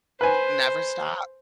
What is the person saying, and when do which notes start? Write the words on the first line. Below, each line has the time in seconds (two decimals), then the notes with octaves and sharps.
Never stop.
0.21 B4 C5 G#5